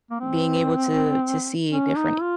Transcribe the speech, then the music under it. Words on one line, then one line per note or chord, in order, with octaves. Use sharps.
being able to to see different a
A#3
C4
C#4
D#4
F4